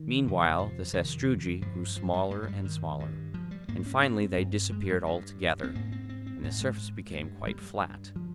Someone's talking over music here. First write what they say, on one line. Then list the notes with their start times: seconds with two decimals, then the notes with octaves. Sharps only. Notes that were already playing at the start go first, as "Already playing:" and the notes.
Meanwhile the sastrugi grew smaller and smaller, and finally they disappeared altogether, and the surface became quite flat.
Already playing: D#3
0.24 F2 C3
0.59 F3
0.93 F2 C3 D#3
1.62 G2 F3
1.96 F3
2.14 G3
2.30 G2 G#3
2.43 F3
2.48 G3
2.65 D#3
3.00 G2
3.34 F3
3.51 G3
3.69 G#2 A#3
3.86 C#4
3.97 C#4
4.03 C4
4.37 G2
4.72 G#3
4.89 G3
5.06 G2
5.64 C4
5.75 G#2 A#3
5.92 C4
6.09 C4
6.27 C4
6.44 G#2 C4
6.61 G#3
7.13 G2
7.47 G3
7.81 G2
8.16 F3